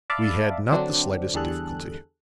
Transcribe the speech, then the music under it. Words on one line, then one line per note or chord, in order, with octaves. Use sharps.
"We had not the slightest difficulty."
D5 E5 F5 A5 B5 D6
D3 F#3 C4 D4
E2 D3 G3 G#4 A4 F#6